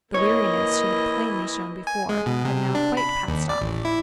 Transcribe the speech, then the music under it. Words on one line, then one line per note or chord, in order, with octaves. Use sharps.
The weariness she had plainly shown before had now quite passed off.
E3 A#3 C#5 D#5
G#5
G#3
B2
C3
D4
B5
B5
D#2
D5
A1
E4